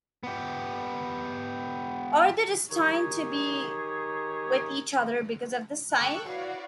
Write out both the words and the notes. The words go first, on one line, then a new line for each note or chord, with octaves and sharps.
Are they destined to be with each other because of this sign?
B3 G4
D#3 D#4 G4 G#4 C#5
A4 G5 C#6 D6 E6 F#6
E4 F#4 B4 C#5 D5 F5